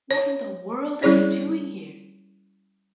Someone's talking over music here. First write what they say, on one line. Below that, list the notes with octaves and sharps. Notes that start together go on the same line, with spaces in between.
What in the world are you doing here?
C#5
G3 C#4 E4 G#4 C#5 D5